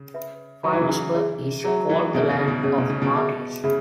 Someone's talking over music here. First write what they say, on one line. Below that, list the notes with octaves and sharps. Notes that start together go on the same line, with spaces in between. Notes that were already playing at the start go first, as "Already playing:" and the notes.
Firozpur is called 'the land of martyrs'.
Already playing: C#3
B4 E5 B5
F#3 B4 E5 B5
E3
C#3
E3
G#4 C#5 E5
F#3 G#4 C#5 E5
E3
B2 C#4 G#4 C#5 E5
C#3
B2
C#3 C#4 G#4 C#5 E5
B2
C#3
B2
G#4 E5 B5
C#3 G#4 E5 B5